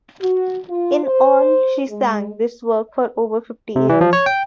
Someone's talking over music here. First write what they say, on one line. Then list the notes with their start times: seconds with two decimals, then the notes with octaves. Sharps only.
In all she sang this work for over fifty years.
0.20 F#4
0.69 F4
1.03 C5
1.88 G#3
3.76 C3
3.89 E3
4.01 F3
4.13 C#5
4.26 G5